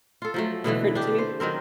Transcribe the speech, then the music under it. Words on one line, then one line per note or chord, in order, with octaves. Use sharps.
different to me.
F4 A4
F3 F#3 A3
B2 D3 E3 A3
D4 G4
C5
D#3 F#3 C4 A#4